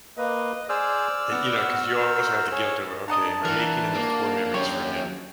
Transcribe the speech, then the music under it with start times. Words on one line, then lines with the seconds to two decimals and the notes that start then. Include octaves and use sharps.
Y you know, 'cause you also have the guilt over, "Okay, am I making enough core memories for him
0.17 A#3 B4 D#5
0.69 G#4 C5 D5 E6 F6
1.31 B3 F#5
1.66 F#4
2.01 A#4 C5
2.51 G#4 C#5
3.08 D4 D#5 F#5 A5 A#5
3.45 E3 F#4 A#4
3.94 A#3
4.54 D#2 F#3 C#4 C#5 G5